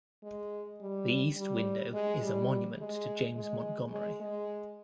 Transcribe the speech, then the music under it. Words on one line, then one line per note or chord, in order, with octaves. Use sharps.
The east window is a monument to James Montgomery.
G#3
G3
G3
G#3
G3
G#3
G#3
G#3
G#3